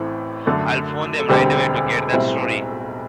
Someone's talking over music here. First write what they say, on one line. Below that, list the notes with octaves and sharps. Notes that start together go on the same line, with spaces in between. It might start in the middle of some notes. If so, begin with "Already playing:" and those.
I'll phone them right away to get that story.
Already playing: A1 A2 E3 A3 C4
F#2 D3 A3
A4
E1 D2 D3 G3 C4 G4
B1 A2 G3 C4 E4